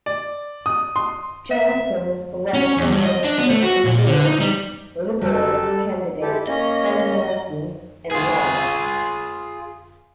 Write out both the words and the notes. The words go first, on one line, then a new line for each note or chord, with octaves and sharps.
Jensen ran against the endorsed Liberal candidate Ben Morton and lost.
D5
D#6
C6
E5
C#4
E2
G2
D#5
D4
B3
A3
F#4
A#2
D3
D#4
G3
F#1 F#3 G3 A4
G#3 E4 G4 A4
A#3 C#4 C#5 D#5
F4 G#4